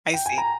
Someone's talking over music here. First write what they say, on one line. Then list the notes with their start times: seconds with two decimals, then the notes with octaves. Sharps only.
I see.
0.14 G5
0.26 G#5
0.38 A#5